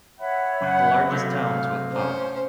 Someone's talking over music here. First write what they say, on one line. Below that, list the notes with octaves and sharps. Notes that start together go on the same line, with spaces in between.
The largest towns with pop.
C#5 E5 F#5 B5
F#2 C#3 F#5
C3 F#3 A3 F5
C#4 C5